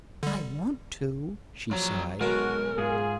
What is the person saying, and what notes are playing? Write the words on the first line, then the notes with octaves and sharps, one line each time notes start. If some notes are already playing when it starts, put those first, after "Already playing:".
"I want to," she sighed.
D3 G3
F3 F#3 A#5
B1 D#3 G#3 F#4 A#4 A5
G#2 F4 G#4